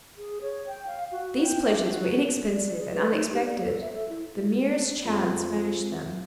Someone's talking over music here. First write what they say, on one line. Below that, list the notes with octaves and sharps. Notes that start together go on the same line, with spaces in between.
These pleasures were inexpensive and unexpected; the merest chance furnished them.
G#4
C#5
G5
F5
F#4
G5
D4
F#4
D5
G#4
B4
D#4
G4
D5
A4
E5
A4
E4
F2